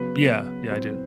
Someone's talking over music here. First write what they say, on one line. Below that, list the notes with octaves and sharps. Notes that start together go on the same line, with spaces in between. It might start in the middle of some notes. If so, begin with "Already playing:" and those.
Yeah, yeah, I do.
Already playing: C#3 F#3 B3 B4
A2 F#3 C4 C5